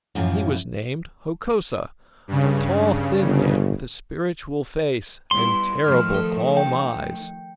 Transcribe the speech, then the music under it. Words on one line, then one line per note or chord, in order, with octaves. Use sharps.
He was named Hokosa, a tall, thin man, with a spiritual face and terrible calm eyes.
F#2 A2 E3 F3
G2 C#3
G1
G3 B3 E4 C6
D#3 F3 A3 F6
A4
G5